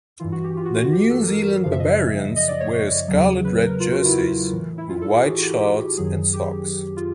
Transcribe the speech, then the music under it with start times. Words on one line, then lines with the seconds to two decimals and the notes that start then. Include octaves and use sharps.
The New Zealand Barbarians wear scarlet red jerseys with white shorts and socks.
0.20 G2 E3 F4
0.32 F#4
0.44 G4
0.57 F4
0.65 F#4
0.75 F4
0.83 F#4
0.93 G4
1.10 A4
1.28 A#4
1.64 F#2 C#3 F3 F5
1.72 E5
1.80 D#5
1.87 E5
2.36 D#5
2.48 D5
2.60 C#5
3.08 E2 C#3 F#3
3.45 B4
3.63 A#4
3.80 F4
3.93 F#4
4.04 E4
4.17 F4
4.52 A2 E3
4.78 E4
4.89 F4
5.01 A4
5.10 G#4
5.17 G4
5.25 F#4
5.38 F#4
5.43 G4
5.61 G4
5.97 F#2 D#3 F#3 G#4
6.33 G4
6.97 F4